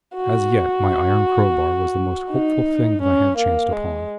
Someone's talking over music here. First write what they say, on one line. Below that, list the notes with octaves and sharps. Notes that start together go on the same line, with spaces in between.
As yet my iron crowbar was the most helpful thing I had chanced upon.
F#4
D#4
C#4
A#3
G#3